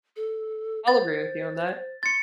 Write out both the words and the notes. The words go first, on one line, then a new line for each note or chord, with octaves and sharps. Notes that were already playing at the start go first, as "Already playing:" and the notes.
I'll agree with you on that.
A4
C5 A6
C6 A6 C#7